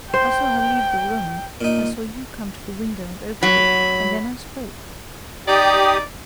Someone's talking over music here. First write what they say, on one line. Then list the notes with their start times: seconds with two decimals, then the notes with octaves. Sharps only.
I saw her leave the room; I saw you come to the window and open it, and then I spoke.
0.14 C5 G5
1.61 A#2 D#4
3.43 F#3 B5
5.48 D#4 G4 D5 D#6